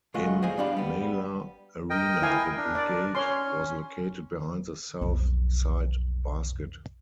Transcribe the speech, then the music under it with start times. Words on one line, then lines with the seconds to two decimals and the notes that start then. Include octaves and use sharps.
In Malha Arena, the Brigade was located behind the south side basket.
0.14 C#2 G#3 A3 F4 F#4 D#5
0.42 G#4 C5 D5 D#5 F5 G#5
0.58 G3 B3 D4 G4 F5 B5
0.77 G3 B3
1.90 A#4 D#5 G5
2.22 E4 F5 G#5
2.57 D4 A#4
2.75 D5
3.15 C#4 C#5 C6
5.01 B1 F2